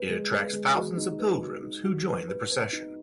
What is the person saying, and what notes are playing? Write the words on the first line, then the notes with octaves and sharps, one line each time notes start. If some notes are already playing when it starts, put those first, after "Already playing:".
It attracts thousands of pilgrims who join the procession.
Already playing: B4
G#3
B4
G#3
F#4
D#4
B4
F#4
D#4
F#4
B4
B4
B4
D#4